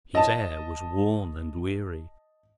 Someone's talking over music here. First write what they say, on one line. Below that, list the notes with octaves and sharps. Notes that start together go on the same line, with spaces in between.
His air was worn and weary.
D#5 A5